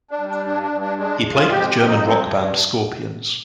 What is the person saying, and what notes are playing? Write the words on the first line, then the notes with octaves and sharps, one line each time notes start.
He played with the German rock band Scorpions.
D4
G3
D4
G2 D4
D4
G2
D4
G#3 D4
G#3
F4
F2 G4
G4
F2
D#4
G2 C4